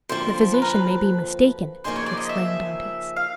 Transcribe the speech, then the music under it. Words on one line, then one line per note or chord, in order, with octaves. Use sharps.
"The physician may be mistaken!" exclaimed Dantes.
F2 D3 F3 A#3 C5
B4
A#4
B4
C#3 F3 A#3 D#4 G#4 C5
C#5
D5
D#5
E5
F5